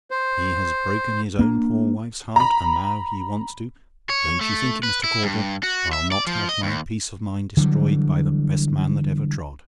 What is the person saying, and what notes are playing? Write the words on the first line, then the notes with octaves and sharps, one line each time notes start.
He has broken his own poor wife's heart, and now he wants to--but don't you think it, Mr. Caudle; I'll not have my peace of mind destroyed by the best man that ever trod.
C5
A#3 D4
A#5 B5
C#5
A3
B4
E4
G2
F#4
E5
D5
F3
D#5
D#2
D3 E3 F#3 G3